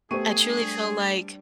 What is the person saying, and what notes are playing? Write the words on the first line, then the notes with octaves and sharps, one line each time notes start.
I truly feel like,
A3 B3 G4 G#4 C5 C#6 D#7
G3 D4